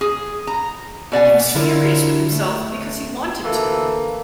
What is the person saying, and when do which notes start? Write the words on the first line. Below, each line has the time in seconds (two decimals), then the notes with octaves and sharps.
He was furious with himself because he wanted to.
0.01 G#4
0.47 A#5
1.12 B2 D5 F#5 G#5
1.55 D3 E4 F4 A#4 C#5
2.32 A3
3.45 D2 E3 A#3 A4